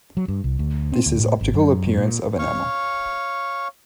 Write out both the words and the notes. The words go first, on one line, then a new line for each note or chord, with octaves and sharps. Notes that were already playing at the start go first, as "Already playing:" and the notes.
This is optical appearance of enamel.
F#3
G2
C2
D2
C4
D2
A2
G#1
F#2
A#2
C#5 F5 C#6